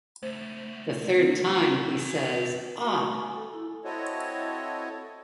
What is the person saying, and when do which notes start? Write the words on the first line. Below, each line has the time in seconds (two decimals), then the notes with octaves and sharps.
The third time, he says Ah!
0.23 C#2 A3 C5
1.19 C4 D4
1.97 F#4 G#5
2.84 F#4
2.98 A3
3.19 G#5
3.36 A4
3.54 E4
3.84 C4 E4 F#4 A4 C#5 D#5